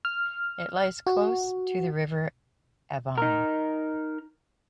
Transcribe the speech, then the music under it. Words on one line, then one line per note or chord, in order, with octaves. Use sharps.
It lies close to the River Avon.
F6
F#4
D#4 A#4